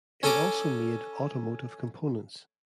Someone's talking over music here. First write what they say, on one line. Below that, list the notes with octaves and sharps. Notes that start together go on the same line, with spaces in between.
It also made automotive components.
C#4 A4 G#5 A#5 D6